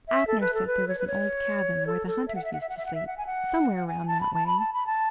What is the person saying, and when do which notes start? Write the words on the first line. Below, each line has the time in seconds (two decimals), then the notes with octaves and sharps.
Abner said there was an old cabin, where the hunters used to sleep, somewhere round that way.
0.08 E5
0.27 A4
0.41 B4
0.54 A4
0.67 B4
0.88 C#5
0.99 B4
1.07 C#5
1.87 A4
2.07 A4
2.28 E5
2.35 F#5
2.44 E5
2.53 F#5
2.61 E5
2.69 F#5
2.77 E5
2.86 F#5
2.95 E5
3.07 F#5
3.18 G#5
3.26 F#5
3.87 G#5
4.07 A5
4.21 B5
4.34 A5
4.47 B5
4.59 A5
4.73 B5
4.87 A5